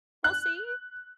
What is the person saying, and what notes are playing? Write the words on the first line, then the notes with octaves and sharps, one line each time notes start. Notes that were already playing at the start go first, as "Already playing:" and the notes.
Well, see?
F#6